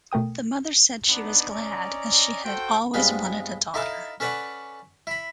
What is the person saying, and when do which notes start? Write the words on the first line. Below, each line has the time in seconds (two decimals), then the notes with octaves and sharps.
The mother said she was glad, as she had always wanted a daughter.
0.12 B2 A3 A#4 G5 D#6
1.08 B3 D4 D#4
1.49 C#4 D5 D#5 A#5
2.44 F#4 A4 C5 G5
2.94 G2 G#3 B3 C4 F4
3.74 D#4 E4 A4 E5 F5
4.20 C#4 A4 B4 C#5 D5 F#5
5.07 E4 B5